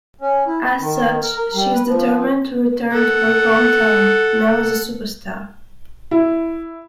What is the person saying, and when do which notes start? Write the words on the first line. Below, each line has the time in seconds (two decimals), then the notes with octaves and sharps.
As such, she is determined to return to her hometown, now as a superstar.
0.21 C#4
0.47 E4
0.65 B4
0.80 D#3
1.22 A#4
1.36 A#4
1.54 G3
1.74 B4
1.87 F3
2.92 A4 F#5
6.11 E4